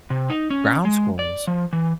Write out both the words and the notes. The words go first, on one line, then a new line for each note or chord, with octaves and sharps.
Ground squirrels?
C3
D#4
C#4
G#3
D5
F3
E3